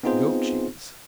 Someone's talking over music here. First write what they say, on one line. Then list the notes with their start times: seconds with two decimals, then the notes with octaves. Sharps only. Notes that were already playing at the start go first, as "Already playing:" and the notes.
Goat cheese.
0.04 B3 C4 D#4 F4 G#4 C5